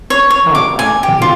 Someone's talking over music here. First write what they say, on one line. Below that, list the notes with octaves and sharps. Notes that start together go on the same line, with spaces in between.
Oh, thanks.
C#5
C#5
D6
G#5
G4
F4